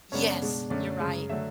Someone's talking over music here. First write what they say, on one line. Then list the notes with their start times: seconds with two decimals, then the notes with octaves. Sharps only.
Yes, you're right.
0.12 F#2 C#3 G#3 B3 D4 C#5
0.42 B2 G#3 D4
0.70 F#2 D3 A3 C#4 D5
1.00 F#2 C#3 G#3
1.29 D3 F#3 A3 E5